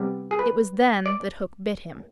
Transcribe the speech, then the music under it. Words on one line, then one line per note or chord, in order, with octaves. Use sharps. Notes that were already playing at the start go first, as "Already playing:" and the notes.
It was then that Hook bit him.
Already playing: C3 G3 B3 G4
G#4
B4
D5